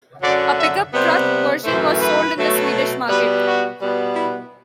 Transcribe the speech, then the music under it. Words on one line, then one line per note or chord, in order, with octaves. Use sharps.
A pickup truck version was sold in the Swedish market.
F#2 D3 F#3 D5
E5
C3 G3 B3 C5
F#2 E3 A3 C5
B4
B2 F#3 A3
B2 G3 B3 B4
F#4
B2 G3 B3
E4